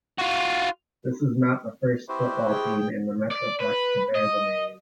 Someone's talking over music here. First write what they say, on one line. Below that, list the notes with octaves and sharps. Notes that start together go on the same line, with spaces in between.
This is not the first football team in the Metroplex to bear the name.
F4 F#4
C4 E4 F#4 G4 B4 C5
G#4 G5 D#6
D5
B4
D#5